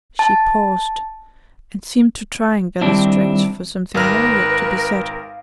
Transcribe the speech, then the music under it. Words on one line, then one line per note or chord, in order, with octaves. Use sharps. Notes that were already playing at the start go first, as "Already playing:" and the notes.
She paused, and seemed to try and gather strength for something more yet to be said.
A5
D#3 G3 C4 D4 E4
G#1 A#4 B4 F5 F6